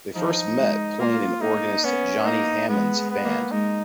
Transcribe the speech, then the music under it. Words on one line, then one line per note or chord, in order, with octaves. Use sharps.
They first met playing in organist Johnny Hammond's band.
F3 D#4
G#3
A#3 F4
A#3 D#4
B3 C#4
A#3 D#4
G#3 B3
G#3
B3
A#3
G#3 D#4